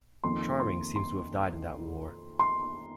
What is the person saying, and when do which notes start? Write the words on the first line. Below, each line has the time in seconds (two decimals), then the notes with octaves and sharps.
Charming seems to have died in that war.
0.24 F2 D#3 A#3 C6
0.60 C6
0.96 C6
2.39 C6